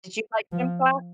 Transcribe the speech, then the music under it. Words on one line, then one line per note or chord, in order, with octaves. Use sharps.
Did you like gym class?
F3